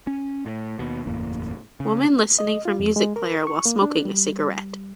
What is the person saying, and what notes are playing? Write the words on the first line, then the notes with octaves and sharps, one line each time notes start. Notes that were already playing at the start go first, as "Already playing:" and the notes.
Woman listening for music player while smoking a cigarette.
C#4
A2
D#2 B2
F#1 E2 A2 A#3
C#3
D#5
F4
F2
G#3
A#4
C#6
A#3
D4
G3